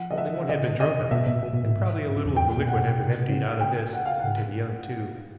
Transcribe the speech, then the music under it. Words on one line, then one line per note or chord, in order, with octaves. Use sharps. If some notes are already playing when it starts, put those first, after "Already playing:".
Only one had been drunk out of, and probably a little of the liquid had been emptied out of this into the other two.
Already playing: F3 F#5
D#5
E5
D3 D#5
C#3
D3
D#3
D3 D#5
C3
B2
B2 E5
B2
B2
B2
A2
G#2
G2
F#2
F2
E2 G5
F#2
B2
F#5
C3
C#3
G5
F#5
F5
G#2 F#5